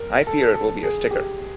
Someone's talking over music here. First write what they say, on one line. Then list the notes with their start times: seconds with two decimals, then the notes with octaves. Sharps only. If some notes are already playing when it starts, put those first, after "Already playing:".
I fear it will be a sticker.
Already playing: A#4
0.27 A4
0.54 A4
0.83 G#4
1.11 G4